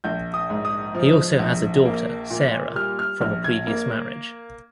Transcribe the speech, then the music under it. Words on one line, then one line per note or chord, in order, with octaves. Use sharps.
He also has a daughter, Sarah, from a previous marriage.
A#1 G6
D#6
G#2
D#6
F3
A#1
A#3
A#2
G3 F6
F6
A#1 F6
G#6
A#3